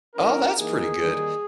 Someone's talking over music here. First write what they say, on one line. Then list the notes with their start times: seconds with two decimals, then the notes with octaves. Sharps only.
Oh, that's pretty good.
0.15 G3 C#4 E4 A#4
0.57 E3 A#3 D#4 G#4
0.98 D#3 G3 A#3 D#4